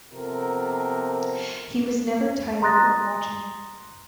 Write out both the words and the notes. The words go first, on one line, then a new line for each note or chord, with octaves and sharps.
He was never tired of watching.
C3 F3 B3 A4 A#4
A#5 C6 D#6 F#6 A6 A#6